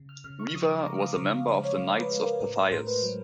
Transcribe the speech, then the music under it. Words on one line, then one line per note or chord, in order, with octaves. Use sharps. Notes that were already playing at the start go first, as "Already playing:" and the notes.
Weaver was a member of the Knights of Pythias.
Already playing: C#3
F6
C#3 F6
C#6
F3 D#6
D6
G#3 A#5
F5
C#3 C5
C#3 C5
C#5
C#3
B4
G#3
A#4
A2 A#4
A#4
A2 C5
B4
F#3